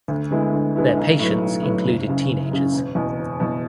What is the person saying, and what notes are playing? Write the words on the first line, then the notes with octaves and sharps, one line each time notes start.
Their patients included teenagers.
D2
D3 G#3 B3 E4
D2
D3 G#3 B3 E4
B1
A2 F#3 B3
B1
A2 F#3 B3
F#1
F#2 C#3
F#1
F#2 C#3
E1
E2 B2
E1
E2 B2